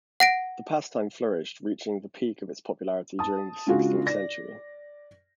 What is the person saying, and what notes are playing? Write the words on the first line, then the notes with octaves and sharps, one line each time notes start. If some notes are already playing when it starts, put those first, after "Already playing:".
The pastime flourished, reaching the peak of its popularity during the sixteenth century.
F#5 A#6 D7
A5 D#6
C#3 G#3 D4 F4 F#4
D5 A#6